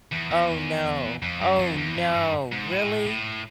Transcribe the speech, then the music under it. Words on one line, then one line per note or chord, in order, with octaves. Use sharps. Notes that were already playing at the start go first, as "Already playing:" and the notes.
Oh, no. Oh, no, really?
E2
E2
F2
F#2
F2
E2
F2
G2
G#2
A2
A2